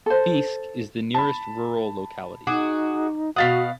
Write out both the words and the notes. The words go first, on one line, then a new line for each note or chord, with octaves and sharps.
Biysk is the nearest rural locality.
A4 C5
A5 B5
D#4 F#4 G#4 D6
B2 F#4 F5 F#5 D#6 A6 B6